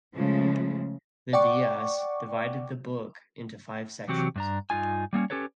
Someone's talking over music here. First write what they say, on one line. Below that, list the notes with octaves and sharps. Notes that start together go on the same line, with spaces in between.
The Dais divided the book into five sections.
C#3 F3 G#3 A3
D5 F#5 G5 C#6 D6
C3 E3 F#3 C4 F#4 G4
G2 D4 A#5
G2 D#4 F4 G#5
G3 A#3 B3 C#4
C#4 G4 A4 B4 C#5